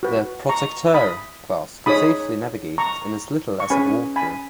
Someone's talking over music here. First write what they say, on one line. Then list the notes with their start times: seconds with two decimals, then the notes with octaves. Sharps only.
The "Protecteur" class could safely navigate in as little as of water.
0.03 F#4 B4
0.49 A#5 C#6
0.95 B5 D#6
1.86 D#4 G#4 C#5 B5 D#6
2.78 A#5 C#6
3.60 C#6
3.70 C#4 G#4 B4 G#5 B5
4.16 G#5 B5